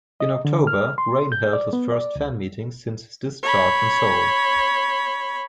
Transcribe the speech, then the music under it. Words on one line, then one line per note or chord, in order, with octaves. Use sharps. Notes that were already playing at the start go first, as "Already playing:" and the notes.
In October, Rain held his first fan meeting since his discharge in Seoul.
D#5
D3
F6
C6
G6
D5
B3
D5
C#2
C#5 B5